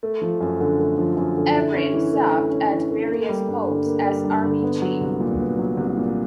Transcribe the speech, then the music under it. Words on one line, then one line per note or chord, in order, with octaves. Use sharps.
Evren served at various posts as Army Chief.
A3
F3
F#2
D3
A3
F3
F#2
D3
E4
C#4
E3
A3
E4
C#4
E3
A3
A#3
G3
G2
D3
A#3
G3
G2
D3
B3
F#3
C2
A#2
B3
F#3
C2
A#2